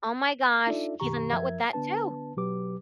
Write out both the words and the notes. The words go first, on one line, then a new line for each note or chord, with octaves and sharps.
Oh my gosh. He's a nut with that too!
D4 D#4 F4 A4 D5 E5
F#2 B2 D#3 G4 A#5 C#6
F#2 F3 A#4 E5 G#6
D3 B3 D4 B4 A5
B2 F#3 G4 B4 D6